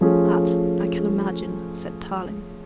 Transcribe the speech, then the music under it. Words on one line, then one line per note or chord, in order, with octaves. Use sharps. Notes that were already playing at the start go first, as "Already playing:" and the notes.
"That I can imagine," said Tarling.
F3 A3 C#4 F4 G#4